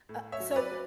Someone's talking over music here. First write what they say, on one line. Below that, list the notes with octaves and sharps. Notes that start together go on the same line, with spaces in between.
Uh so,
A2
C#5 E5
F#3
C#5
B4 D5
F#3